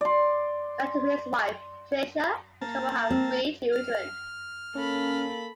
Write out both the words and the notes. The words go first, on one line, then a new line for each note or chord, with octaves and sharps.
Married to his wife Tricia, the couple have three children.
D5 C6
A#3 A5
C4
F6
A#3 C#4 A4 B5